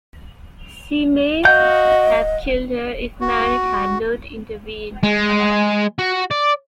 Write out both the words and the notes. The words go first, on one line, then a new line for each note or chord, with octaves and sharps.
She may have killed her if Marat had not intervened.
F#4 D#5 F5 F#5 G6
F#4
G#3
F#4
D5